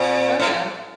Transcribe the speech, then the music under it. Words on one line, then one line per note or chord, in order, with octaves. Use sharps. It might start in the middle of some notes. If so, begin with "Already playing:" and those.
M oh, yeah.
Already playing: A#2 C4
A2